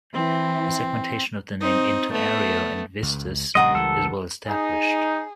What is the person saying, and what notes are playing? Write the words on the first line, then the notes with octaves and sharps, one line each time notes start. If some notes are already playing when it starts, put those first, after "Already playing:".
The segmentation of the name into "Ario-" and "-vistus" is well established.
E3 C4
C4 D#4
A3 B3
C#2
A#1 C#3 G3 A#4 D#5 F#5 C6
C#2 E3 G3 A4
D#4 G#4